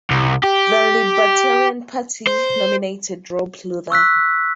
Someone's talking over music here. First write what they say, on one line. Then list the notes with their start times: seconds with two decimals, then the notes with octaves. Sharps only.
The Libertarian Party nominated Robb Luther.
0.11 C2
0.44 G4
2.27 C5
3.90 C#6 E6 F#6 B6